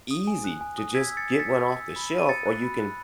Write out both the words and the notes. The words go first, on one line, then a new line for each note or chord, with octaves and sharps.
easy to just get one off the shelf or you can
D#6
G#5
F#6
G#5
D#6
E6 G#6 B6
E6
A6 C#7
E6
B6
A6 C#7
E6
E6
E6
B5
E6
D#7
D#6 A6 C#7
F#6
B5
F#6